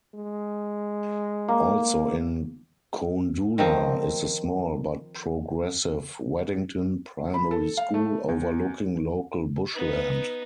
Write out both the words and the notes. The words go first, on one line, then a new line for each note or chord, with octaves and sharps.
Also in Koondoola is the small but progressive Waddington Primary School, overlooking local bushland.
G#3
A#3
D#3 F3 C4
B5
A4
F5
A3
E2
B3 D#4